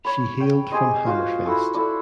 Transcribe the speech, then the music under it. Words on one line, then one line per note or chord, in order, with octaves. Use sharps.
She hailed from Hammerfest.
C#5 B5
C#5 G5
G4 G#4 C5 D#5
F4 F#4 C5 F5
E4 F#4 A4
D4 E4 A4